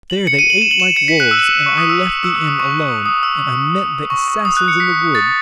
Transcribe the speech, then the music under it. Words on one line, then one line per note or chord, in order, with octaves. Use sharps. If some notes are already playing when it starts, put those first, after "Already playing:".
There they ate like wolves and I left the Inn alone and I met the Assassins in the wood.
F#7
C#7
D#7
F#7
E7
F#7
E7
C#7
B6
F#6
E6
C#6
D#6
E6
E6
D#6
D#6
C#6
D#6
D#6
D#6
E6
C#6
C#6
D#6
F#6
C#7
B6
A6